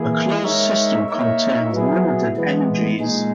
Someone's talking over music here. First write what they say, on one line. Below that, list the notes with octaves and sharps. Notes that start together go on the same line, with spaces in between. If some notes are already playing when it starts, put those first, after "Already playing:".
A closed system contains limited energies.
Already playing: E3 A#3 E4 G#4
G#3 D#4 A#4 C#5 E5
A#3 D#4 A#4 C#5 E5
F#3 B3 E4 G#4
E3 G#3 B3
A#2 G#3 D#4 G#4